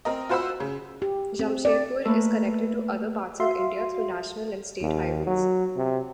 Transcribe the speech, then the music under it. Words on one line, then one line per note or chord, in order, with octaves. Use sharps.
Jamshedpur is connected to other parts of India through national and state highways.
C4 A#4 D#5
F4 F#4 C5 F#5 B5 E6
C#3
G4
C4
D5
A3 A#3 B4
F#4 E5 F5 C6
D#2
F#3
C3